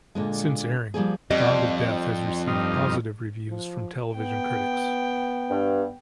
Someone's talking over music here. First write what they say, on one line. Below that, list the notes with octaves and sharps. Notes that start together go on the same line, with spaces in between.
Since airing, "Dog of Death" has received positive reviews from television critics.
A#2 D3 G#3
F3 G3 A#3 G#4
F2 G3 D#5
G2 D#4 F4
F3
B3 G5
G2